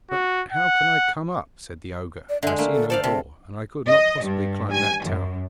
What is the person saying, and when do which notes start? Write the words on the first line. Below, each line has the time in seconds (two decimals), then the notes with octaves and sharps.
'But how can I come up?' said the ogre, 'I see no door, and I could not possibly climb that tower.'
0.10 F#4
0.53 F#5
2.29 D5
2.43 D3 G#3 E5
2.58 A3 A#3 D4
2.72 A4
2.90 A4 C5 D5 F5
3.03 C3 A5
3.87 D#5
4.24 G2
4.72 G#5
5.04 F#2